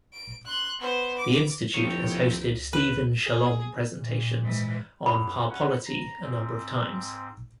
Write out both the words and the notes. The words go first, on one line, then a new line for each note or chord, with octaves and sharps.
The institute has hosted Stephen Shalom presentations on parpolity a number of times.
D7
C6 F#6
B3 C5
D6
F1 D#3 F3 A#3 C4 E4 C#5 G5
B4
G#4
A#2
G#2 E3
F#2 B5
C#4 F#5
A#5
G#2 C4